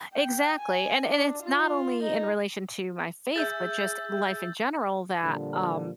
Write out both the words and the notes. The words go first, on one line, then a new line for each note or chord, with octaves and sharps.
Exactly, and and it's not only in relation to my faith, but just life in general that um,
G5
G#5
D4
F4
D#4
G#4 E5 E6 G6 A6
A#2 D3 F3 G3 D4